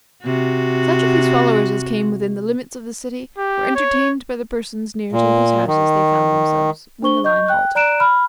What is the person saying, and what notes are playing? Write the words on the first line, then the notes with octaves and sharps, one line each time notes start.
Such of his followers as came within the limits of the city were entertained by the persons near to whose houses they found themselves when the line halted.
C3 F#4
G4
C#5
A#2
D#3
D4 C5 C#6 G7
D#5 C#6 G6
G5 F#6
D5 A#5 F#6 D7 E7
B5 F6